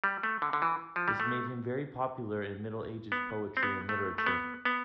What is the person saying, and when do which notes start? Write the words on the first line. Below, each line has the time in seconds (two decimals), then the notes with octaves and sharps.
This made him very popular in Middle Ages poetry and literature.
0.04 G3
0.23 A3
0.42 D3
0.53 D3
0.62 E3
0.96 F3
1.08 G3
1.20 A3
3.12 B3
3.57 C4
3.63 B3
3.89 A3
4.18 A3
4.26 B3
4.65 B3